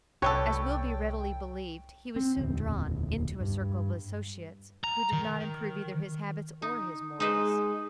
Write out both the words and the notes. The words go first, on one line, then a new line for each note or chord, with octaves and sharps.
As will be readily believed, he was soon drawn into a circle of associates who did not improve either his habits or his morals.
C2 D3 F#3 A4 B4 C#5 G5
C4
E1 D2
G2
A#5
D#3
D#4
G#3 D#4 B4 C5